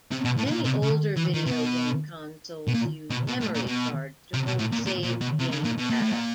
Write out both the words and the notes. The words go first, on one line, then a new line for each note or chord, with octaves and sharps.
Many older video game consoles used memory cards to hold saved game data.
C3
B2
A2
B2
A#2
C3
C#3
E3
D#3
C3
B2
B2
A#2
B2
B2
A2
A#2
B2
C3
B2
A2
A#2
A#2
A#2
B2
C3
C#3
A#2
B2
A#2
A2
A#2